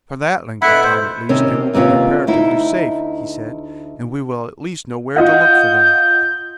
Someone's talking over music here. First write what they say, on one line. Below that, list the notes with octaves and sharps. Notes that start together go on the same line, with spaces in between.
"For that length of time at least they will be comparatively safe," he said, "and we will at least know where to look for them."
B2 A3 E4 E5 F#5 B5
C5
C3 D#3 C#4
D#2 C3 B3 C#4 F4
D2 D#4 E4
F4 D#5 F#5 G6